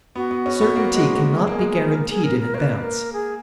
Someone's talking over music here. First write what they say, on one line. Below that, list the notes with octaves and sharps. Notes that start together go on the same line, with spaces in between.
Certainty cannot be guaranteed in advance.
B3 F#4
B3
C#4
B3
A#3
G#3
G#3
B3 G#4
A#3
G#3
A#3
A#4
G#4
A#4
A#4
A#3 B4 C#5
A#4
G#4